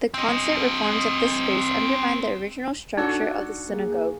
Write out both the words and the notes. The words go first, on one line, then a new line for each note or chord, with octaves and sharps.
The constant reforms of this space undermined the original structure of the synagogue.
C4 D#5
D4 D#4 F#4 A4
A#3 G#4